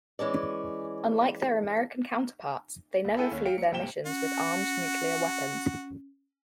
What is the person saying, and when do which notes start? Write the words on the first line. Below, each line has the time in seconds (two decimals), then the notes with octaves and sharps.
Unlike their American counterparts they never flew their missions with armed nuclear weapons.
0.19 E3 G#3 C#4 D5
3.05 C#2
3.17 E4 G#4 A4 G5 B5 D#7
3.31 D#2 C#4
3.45 F5 G5 C#7 D7
3.58 F#3 C#7
3.72 G1 C3 A#3 G5 E7 G7
4.06 C#4 F#4